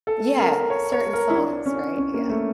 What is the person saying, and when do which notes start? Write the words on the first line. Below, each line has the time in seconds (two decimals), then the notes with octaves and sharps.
Yeah. Certain songs, right? Yeah.
0.07 A4
0.39 A#4
0.70 C#5
0.92 C#5
1.13 A#4
1.30 E4
1.34 D4
1.66 C#4
1.98 C#4
2.14 A#3
2.30 A3